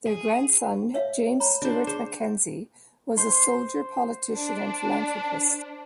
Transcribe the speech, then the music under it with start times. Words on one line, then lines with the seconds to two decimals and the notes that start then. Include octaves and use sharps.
Their grandson James Stewart-Mackenzie was a soldier, politician and philanthropist.
0.07 G#4
0.94 C#5 E5 F5
1.40 C#5 A#5 B5
1.62 D4 C5
1.87 G#4 C5
3.17 C5 C6
4.35 D4